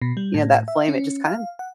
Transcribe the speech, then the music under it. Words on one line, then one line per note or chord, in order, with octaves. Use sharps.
you know, that flame, it just kind of
B2
G3
A2
E5
C#4
F5
F#5